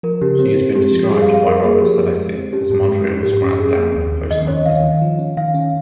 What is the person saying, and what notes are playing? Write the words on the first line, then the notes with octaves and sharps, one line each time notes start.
She has been described by Robert Saletti as "Montreal's grande dame of postmodernism".
F3 A#4
C#3 G4
C4 G4
C4
G#3 G4
F3
G3 G#4
F5
G3
F5
G3 A#4
A#3 G#4
F3 G4
F3
G#3
C4
C#4 G4
G#2 G4
G#3
C#4
G#2 G4
C#4
C#4 G#4
A#3
D#2
D#2
D#3 D#5
C#4 C#5
D#3 F5
D#3
F3
C#4
D#3 F5
C#4